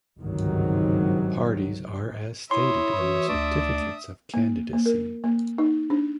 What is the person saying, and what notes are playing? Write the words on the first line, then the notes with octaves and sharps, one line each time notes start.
Parties are as stated in their certificates of candidacy.
G1 C#2 G#2 C3 D#3 F#3
E4 C#5 E5 C6 D#6
E3 F#4
D2 D4
A#3
A#3
A#4
A#3
D#4
D4